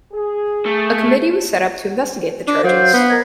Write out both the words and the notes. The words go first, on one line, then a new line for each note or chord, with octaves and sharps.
A committee was set up to investigate the charges.
G#4
A3
D4
F#3 C5 F5 G6
B3
A#4 D#5 G#6